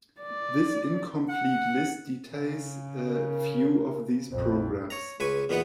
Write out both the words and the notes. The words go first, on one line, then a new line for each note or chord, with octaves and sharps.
This incomplete list details a few of these programs.
D5
F#5
C#3
A#4
A#1 F2 C5
C#5 A#5
C#2 B4 G#5 C#6
E2 A#2 B3 D#4 B4 F#5